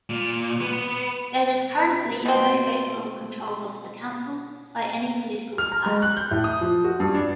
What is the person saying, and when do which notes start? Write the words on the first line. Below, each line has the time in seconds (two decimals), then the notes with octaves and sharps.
There is currently no overall control of the council by any political party.
0.09 A#2
0.61 B3
2.26 B2 C4
5.58 F6
5.72 A#5
5.86 G#3
6.02 F#6
6.17 G6
6.31 A2
6.44 D#6
6.61 F3
6.84 F#4
7.00 G2
7.15 D4